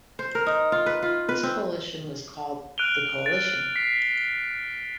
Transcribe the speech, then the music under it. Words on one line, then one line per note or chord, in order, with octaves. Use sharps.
This coalition was called the Coalition.
C5
A#4
D#4
F4
B4
F4
B4
C4
F6 F#6 D7 D#7 F7 G7
A6 D7
B6 C7